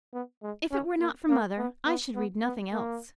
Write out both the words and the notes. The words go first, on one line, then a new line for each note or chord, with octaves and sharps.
If it were not for mother I should read nothing else.
B3
G#3
C#4
A#3
A#3
B3
B3
B3
B3
A#3